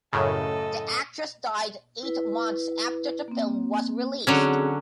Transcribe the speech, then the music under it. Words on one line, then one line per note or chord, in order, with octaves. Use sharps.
The actress died eight months after the film was released.
F#2 A2 C#3 A4 D#5
E4 B4
A#3 C4
D3 F#3 C4 C#4 F#4 G#4